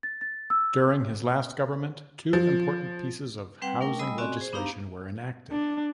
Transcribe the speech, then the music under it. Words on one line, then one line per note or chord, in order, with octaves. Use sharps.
During his last government, two important pieces of housing legislation were enacted.
A6
A6
E6
F3
G3 C4 B4 F#5 G5
A3 C#4 D4 A#4 G5
G3 D#5 G#5 B5 D#6 E6
C4 C#4 F#4 D5 D#5 G#5
G#4 C5
B3 D4 D#4 G4 F5 A#5
D4